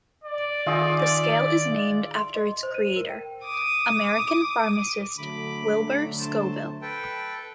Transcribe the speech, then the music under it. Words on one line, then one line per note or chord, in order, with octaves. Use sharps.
The scale is named after its creator, American pharmacist Wilbur Scoville.
D5
D#3 F4 G#4 D#5 E5
C6
D#5
C5
D#7
A#4
G5
D6 D#6
D3 F#3 A3 B5 D6
C5 A5
A4 B4 G5